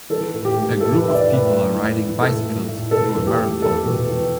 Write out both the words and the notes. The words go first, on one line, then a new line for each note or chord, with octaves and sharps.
A group of people are riding bicycles through a marathon.
E3 A4
A2
G4
A3
A2 A4
B4
E3 E5
D5
A2
B4
A3
A2
E3
A2 A4
A3
A2
B2 A4
E2
G4
A3
E2 A4
B2
E2